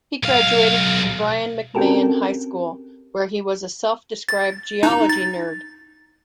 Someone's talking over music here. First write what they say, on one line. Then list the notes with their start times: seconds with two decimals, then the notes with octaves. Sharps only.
He graduated from Brien McMahon High School, where he was a self-described geology nerd.
0.23 B1 F5
1.75 C4 C#4 F#4 G4 A4 A#4
4.29 A6
4.83 D#4
5.09 A6